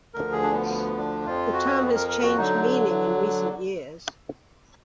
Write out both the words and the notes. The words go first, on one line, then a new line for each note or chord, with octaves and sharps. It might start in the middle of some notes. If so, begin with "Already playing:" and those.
The term has changed meaning in recent years.
D2 D3 F3 A#4
G#4
D4
B3
B3
D4
F2 F3 F4
F#4
A#4
A#4
F#4
D3 F#3 D#4